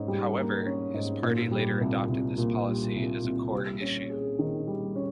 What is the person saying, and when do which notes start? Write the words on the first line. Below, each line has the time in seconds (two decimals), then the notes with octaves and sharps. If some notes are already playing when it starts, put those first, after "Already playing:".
However, his party later adopted this policy as a core issue.
Already playing: G#2 C#4
0.08 G3
0.37 A#3
0.66 C#4
0.94 G#2
1.23 A#2
1.51 G3
1.81 C2
2.09 C2
2.38 A#2
2.67 G3
2.96 C2
3.24 C2
3.52 G3
3.81 C#4
4.10 G#4
4.39 D#3
4.67 G3
4.96 C#4